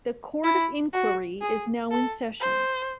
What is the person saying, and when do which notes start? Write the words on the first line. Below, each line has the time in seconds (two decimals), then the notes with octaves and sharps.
The court of inquiry is now in session!
0.44 E4
0.93 F#4
1.42 G#4
1.91 A4
2.41 C5